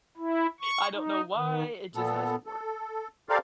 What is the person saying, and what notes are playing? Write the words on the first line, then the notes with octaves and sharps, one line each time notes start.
I don't know why, it just hasn't worked.
E4
C#6
D#4
D#3
A#2 B3 A4
A4
G4 A4 A#4 C5 D5 F5